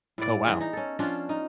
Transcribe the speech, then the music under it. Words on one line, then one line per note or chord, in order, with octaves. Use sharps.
Oh, wow.
A2 E4 D5
E3 B3 G#4
D#4
C#4 A4
F3 C#4 D4 F4
D#4